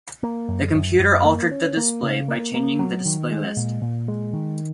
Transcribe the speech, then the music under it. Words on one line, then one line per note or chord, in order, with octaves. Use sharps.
The computer altered the display by changing the display list.
A#3
F#2
F#2
F#2
A#3
C#4
A#3
C#3
A#3
A#3
F#3
D#3
G#3
A#2
A#2
G#3
D#3